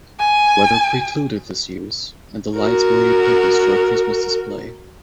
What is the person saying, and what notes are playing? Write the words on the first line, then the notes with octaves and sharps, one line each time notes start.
Weather precluded this use, and the lights were repurposed for a Christmas display.
G#5
F#4 A#4